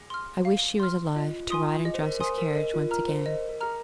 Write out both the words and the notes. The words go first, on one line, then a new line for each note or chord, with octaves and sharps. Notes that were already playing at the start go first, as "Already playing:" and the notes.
I wish she was alive, to ride in Jos's carriage once again.
Already playing: G#4
C6 F6
F5
C6 F6
F4 D#5
F4 G#5 C6 D#6
G#4 D#5
C5
A#4
C5 G#5 C6 D#6
A#4
A#4 D#5
F4
A#4 A#5 F6
C5
A#4 D#5
A#4
G#4 A#5 F6